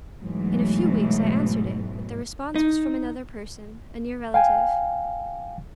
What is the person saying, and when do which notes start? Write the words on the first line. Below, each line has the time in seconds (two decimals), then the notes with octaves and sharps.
In a few weeks I answered it; but the response was from another person, a near relative.
0.21 G#2 B2 E3 F#3 A3
2.56 D#4
4.34 F5 G5 G#5